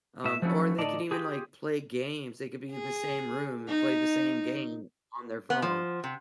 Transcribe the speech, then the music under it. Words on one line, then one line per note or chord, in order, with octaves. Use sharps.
Um, or they could even, like, play games, they could be in the same room and play the same game on their phone.
A2 E5
F3 F#3 A3 C#4 E4
A2 D3 D#4 D5 D#5 A5
F4 G4 G#4
G#4
D#4
B3
F3
C3